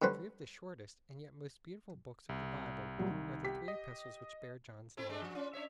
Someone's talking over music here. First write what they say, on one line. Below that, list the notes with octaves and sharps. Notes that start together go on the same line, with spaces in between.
Three of the shortest and yet most beautiful Books of the Bible are the three epistles which bear John's name.
D3 G3 C#4 B4 C5
C2
A#2 F#3 G3
D#3
G4 B6
D#5
A3 C4 E4
G#3 A3 D4
F3
C#4 F4
D4 C#5 E5